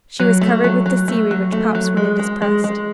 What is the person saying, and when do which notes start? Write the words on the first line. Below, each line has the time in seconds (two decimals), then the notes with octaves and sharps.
She was covered with the seaweed which pops when it is pressed.
0.20 F#3
0.41 A3
0.64 F#3
0.86 F#3
1.08 A3
1.31 F#3
1.52 A3
1.75 F#3
1.97 G#3
2.19 G#3
2.42 G#3
2.64 G#3